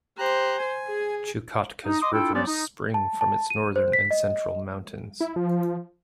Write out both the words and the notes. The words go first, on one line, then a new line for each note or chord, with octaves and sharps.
Chukotka's rivers spring from its northern and central mountains.
G4 C5 A#5 F#6
G#5
G#4
D#4
D#5 C6 D6 D#6
D4 E4 F4 A4 E5 G5
F#3 B3 C#4 C5 D5
D#4
A5
A5
D#7
C5
B6
D#5
E4
F3